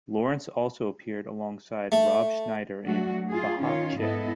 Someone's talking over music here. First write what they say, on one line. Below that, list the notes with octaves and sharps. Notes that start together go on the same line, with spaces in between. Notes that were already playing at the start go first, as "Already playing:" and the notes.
Lawrence also appeared alongside Rob Schneider in "The Hot Chick".
A3
F#3 A3 D4 F#4
F4 G#4
D#3 C#4 F4 C#5
G#2 B3 E4 A4 D#5